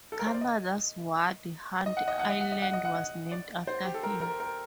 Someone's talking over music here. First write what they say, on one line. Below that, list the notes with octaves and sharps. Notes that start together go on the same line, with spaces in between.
Canada's Ward Hunt Island was named after him.
A4
A#4
C5
D5
D#5
D#5
F#5
D#5
F#5
D#5
F#5
D#5
F#5
D#5
F#5
D#5
D5
C5
G4
A4
A#4
A#4
A#4